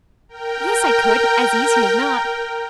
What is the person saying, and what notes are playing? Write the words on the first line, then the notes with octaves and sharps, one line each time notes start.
"Yes, I could, as easy as not."
A#4 G5